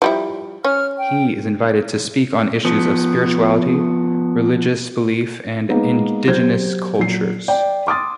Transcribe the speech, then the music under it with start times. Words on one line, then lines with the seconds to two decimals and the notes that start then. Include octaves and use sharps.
He is invited to speak on issues of spirituality, religious belief and indigenous cultures.
0.02 F3 G3 E4
0.64 C#4 F6
0.98 G5
2.65 F3 B3
5.69 G#3 A#3 B3 D#4 B4
6.27 F#3 G4 C5 G6 G#6
6.98 A#2 F#3 C7
7.48 D5 G5
7.87 C6 D6 D#6 A6